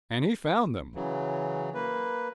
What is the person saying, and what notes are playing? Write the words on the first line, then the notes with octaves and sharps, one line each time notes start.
And he found them.
C#3 E3 F#3
A#3 B4